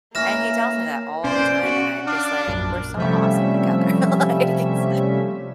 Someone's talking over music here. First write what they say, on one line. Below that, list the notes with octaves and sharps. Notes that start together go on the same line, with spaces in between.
And he tells me that all the time, and I'm just like, "We're so awesome together.” Like, it's
E3 A#3 C#4 F6 A#6 E7
F#2 B2 A#3 C#4 C5 D5
C#4 F#4
D4 F5
A#1 F#2 A5
C3 F3 G3 A3 C#4 E5